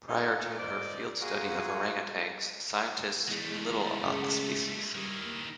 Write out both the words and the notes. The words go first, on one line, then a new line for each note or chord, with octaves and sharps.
Prior to her field study of orangutans, scientists knew little about the species.
D#3 A3 B3 D#4
A#2 A3
A#2 C4 D#4 D5
A#3 F4 F#4 G#4
E2 G#3 A3
C#3
D#3 G3 E4
A#3